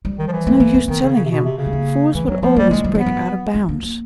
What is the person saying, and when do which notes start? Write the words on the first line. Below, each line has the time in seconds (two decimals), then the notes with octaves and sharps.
It's no use telling him, fools will always break out o' bounds.
0.05 G3
0.19 D#3
0.28 F3
0.32 E3
0.47 A3
0.60 A#3
0.74 B3
0.88 D#3 B3
1.02 C#3
1.16 C#3
1.25 C3
1.31 B2
1.45 C3
1.58 C#3
1.66 A3
1.73 A#3
2.15 E3 A3
2.28 F#3 B3
2.42 F3 A#3
2.56 G3 A#3
2.71 E3 G#3
2.84 F#3
2.95 F3 B3
3.06 F#3
3.54 A3
3.69 A#3
3.83 A#3